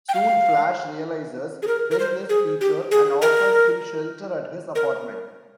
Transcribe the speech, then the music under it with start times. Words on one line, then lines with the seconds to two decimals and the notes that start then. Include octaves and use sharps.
Soon, Flash realizes Ben is Peter and offers him shelter at his apartment.
0.09 G5
0.15 F5
1.62 G#4
1.67 A#4
1.91 A#4
1.99 C5
2.29 G#4
2.61 G4
2.91 G#4
3.22 A#4
4.75 A#4